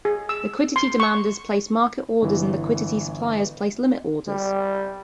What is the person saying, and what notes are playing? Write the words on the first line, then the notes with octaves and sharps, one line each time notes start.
Liquidity demanders place market orders and liquidity suppliers place limit orders.
G#4
E6
C6
C#6
G1 E3
G3